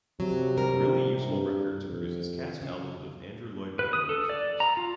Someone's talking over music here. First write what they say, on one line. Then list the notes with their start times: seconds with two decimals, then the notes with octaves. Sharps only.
Really Useful Records produces cast albums of Andrew Lloyd Webber musicals.
0.20 C3 F#3
0.57 G3 A#4
1.29 G2
1.87 F2
2.62 C#3
3.79 B4
3.93 D#6
4.09 A4
4.29 D5
4.60 A#5
4.77 F4